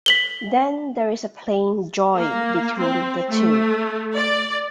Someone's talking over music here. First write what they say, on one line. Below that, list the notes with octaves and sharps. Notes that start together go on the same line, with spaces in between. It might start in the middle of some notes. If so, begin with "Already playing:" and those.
Then there is a plain Joy between the two.
B6 F#7 G7
A#3
C4
A3
D5